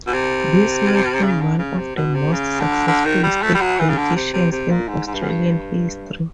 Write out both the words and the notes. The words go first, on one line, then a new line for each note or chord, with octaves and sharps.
This made him one of the most successful state politicians in Australian history.
B2
C3
C#3
D3
C#3
C3
B2
C3
C#3
D3
D3
D#3
G3
A3
G3
F#3
E3
C#3
D3
C3
C3
C3
A#2
G#2
G#2
G2
F#2
G2